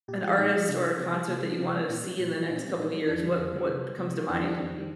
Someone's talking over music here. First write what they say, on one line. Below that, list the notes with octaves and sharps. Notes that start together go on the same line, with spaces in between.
an artist or a concert that you wanted to see in the next couple years, what what comes to mind?
A#2 G4
F3 G#3 G4
A#2 D#4
F3 G#3
C3 D4
G3
C3 C4
G3
C3 A#3
G3 C4
C3 C4
G3
A#2
G3
A#2
G3
A#2 D#4
C4
G3
C4
A#2 D#4
G3
F2 D4
D3 G3 D4
F2
D3 G3
C3
G3
C3 C4
G3
F2 D4
D#3 G3 D4
F2 C4
D#3 G3